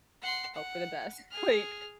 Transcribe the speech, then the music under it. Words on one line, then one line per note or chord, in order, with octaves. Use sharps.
hope for the best. Like,
F#5 C6
F#5
G#4 F6